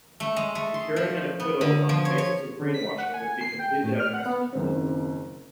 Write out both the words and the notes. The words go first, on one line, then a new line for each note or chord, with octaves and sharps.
Securing an acquittal on the basis of brainwashing would be completely unprecedented.
A3
G#3
A3
C6
F3
B3
D3
F3
C#5
C#5
D3
B6
F#5
G#5
C7
G5
A2
F6
F#5
B3
F#1 D#2 C#3 C4